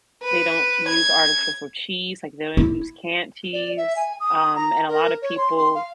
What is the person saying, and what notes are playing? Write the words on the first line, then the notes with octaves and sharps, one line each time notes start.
they don't use artificial cheese, like, they don't use canned cheese, um, and a lotta people
B4
G#6
E4
D5
E5
G#5
D#6
A#5
A#4
C#5
C6
C6
F5